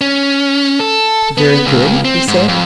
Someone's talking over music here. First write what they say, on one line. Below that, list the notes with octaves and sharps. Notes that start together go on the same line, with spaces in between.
Very good, he said.
C#4
A4
B3
C#2
C4
G#2
F2